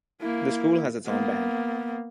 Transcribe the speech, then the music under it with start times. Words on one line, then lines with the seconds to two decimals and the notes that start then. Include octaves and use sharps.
The school has its own band.
0.21 A#3 E4
1.06 A#3 B3